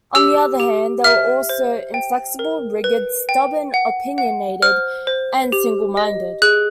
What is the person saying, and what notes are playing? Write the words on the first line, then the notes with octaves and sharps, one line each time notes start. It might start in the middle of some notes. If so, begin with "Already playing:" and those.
On the other hand, they are also inflexible, rigid, stubborn, opinionated and single-minded.
G4 E6
G4
E5 F6
C5
G5
A#4
B4
G5
F#5
F#5
C5 F6
C5
G4
D#5
G#4 F#6